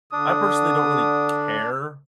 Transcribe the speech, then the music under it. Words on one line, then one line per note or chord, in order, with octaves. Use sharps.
I personally don't really care
D3 D4 D#6